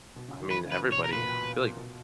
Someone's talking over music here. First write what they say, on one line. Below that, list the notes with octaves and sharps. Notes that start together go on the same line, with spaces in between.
I mean, everybody. I feel like
B2
C#3
D#3
E3 B4
C#3
B4
B2
C#5
B2
A#4
A#2 B4
B2